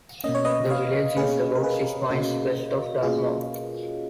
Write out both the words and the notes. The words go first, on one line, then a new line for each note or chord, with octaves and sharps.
The village is about six miles west of Dartmouth.
B2 A#3 C#4 D#5
C#5
B4 D#5
C#5 F5
B2 A#3 C#4 G#4 B4
A#4
G#4 B4
B2 A#3 C#4 F#4 A#4
B2 A#3 C#4 F4 G#4